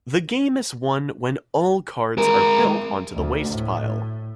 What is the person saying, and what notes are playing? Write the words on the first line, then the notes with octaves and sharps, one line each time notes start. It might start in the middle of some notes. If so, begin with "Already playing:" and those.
The game is won when all cards are built onto the waste pile.
G#3 A#4
D2
A2